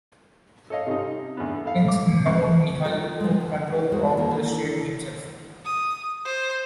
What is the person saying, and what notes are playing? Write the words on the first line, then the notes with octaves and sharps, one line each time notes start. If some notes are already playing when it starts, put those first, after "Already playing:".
Prince Nau Nihal took control of the state himself.
A4 C#5 D#5 F5
C3 C#4 D#4
E2 D3 B3
A4 F5
D6
F2 C#6
F4 A4 A#4 D#5 G5
F3 G#3
D3
E2 G#3 F#4 G#4 C5 F#5
D#3 E3 A#3 D4 A#4
D#6
C5